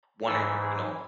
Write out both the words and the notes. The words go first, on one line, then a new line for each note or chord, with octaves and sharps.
one or you know,
G#2 E3 A4
G#4